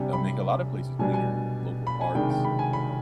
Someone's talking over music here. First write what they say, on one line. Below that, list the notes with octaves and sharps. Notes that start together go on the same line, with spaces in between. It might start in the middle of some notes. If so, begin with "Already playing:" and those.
uh, make a lot of places cleaner, local parks,
Already playing: C3 G3 D4 G#5
B5
B2 G3 D4 G#5
G#5
B5
G#5
C3 D#3 G#3 D4 G5
G5
B5
G#5
B5